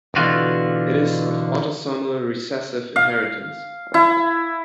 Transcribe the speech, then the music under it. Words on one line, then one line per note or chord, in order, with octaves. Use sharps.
It is of autosomal recessive inheritance.
B2 D3 E3 F4 F#4
F5
E4